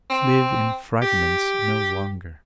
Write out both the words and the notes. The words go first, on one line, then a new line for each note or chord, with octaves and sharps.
Live in fragments no longer.
C4
G4